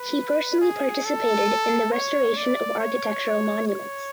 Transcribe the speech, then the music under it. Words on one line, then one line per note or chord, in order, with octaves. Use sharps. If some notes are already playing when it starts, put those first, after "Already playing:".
He personally participated in the restoration of architectural monuments.
Already playing: B4
G#4
A4
C#5
D5
C#5
C#5